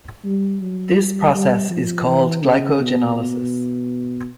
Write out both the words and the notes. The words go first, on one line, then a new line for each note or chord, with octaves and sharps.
This process is called glycogenolysis.
G3
F#3
G3
G3
F3
E3
C#3
B2
B2